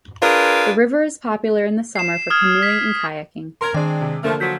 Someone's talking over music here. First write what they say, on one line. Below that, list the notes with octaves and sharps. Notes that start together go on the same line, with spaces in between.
The river is popular in the summer for canoeing and kayaking.
D4 F4 G#4 A#4 B4
C7 E7
D#6 F6 G#6
B6
A#4 C6 G#6
D#3 G#3 C4 D4 D5 G5
C3
D3 F3 A3 A#3 F6
F3 F#3 G6 B6